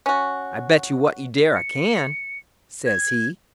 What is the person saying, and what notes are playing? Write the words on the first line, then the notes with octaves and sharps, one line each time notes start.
"I bet you what you dare I can," says he.
C#4 F#4
C#7
G#6